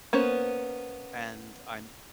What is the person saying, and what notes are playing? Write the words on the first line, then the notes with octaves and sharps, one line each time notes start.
and I'm
A#3 B3 C#4 C5